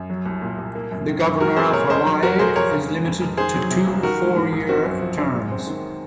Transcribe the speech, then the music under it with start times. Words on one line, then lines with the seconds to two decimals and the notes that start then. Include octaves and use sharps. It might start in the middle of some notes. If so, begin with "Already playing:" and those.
The Governor of Hawaii is limited to two four-year terms.
Already playing: F#2
0.10 F#3
0.26 C2
0.42 A#2
0.58 C2
0.75 A#3
0.91 F#2
1.08 D#3
1.24 F#2
1.40 G#3 F#4 A#4
1.57 C4 G#4 C5
1.73 A#2 A#4 C#5
1.90 C2 C5 D#5
2.07 F#3
2.22 F2 F#4 A#4
2.39 C3 G#4 C5
2.56 F2 A#4 C#5
2.72 C#3
2.88 G#3
3.05 F2
3.21 F1
3.37 D#3 G#4 C5
3.54 F#3
3.71 C3
3.87 C#2
4.03 D#3 F#4 A#4
4.20 G#3
4.36 G#2
4.52 A#1
4.69 C4 F#4
4.85 F#2
5.02 F3
5.18 F#2
5.34 G#3
5.52 C4
5.67 D#3